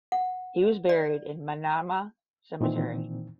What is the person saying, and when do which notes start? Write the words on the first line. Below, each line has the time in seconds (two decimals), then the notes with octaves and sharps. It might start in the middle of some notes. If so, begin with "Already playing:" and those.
He was buried in Manama Cemetery.
0.12 F#5
0.89 D5
2.61 A#2 D#3 E3 C4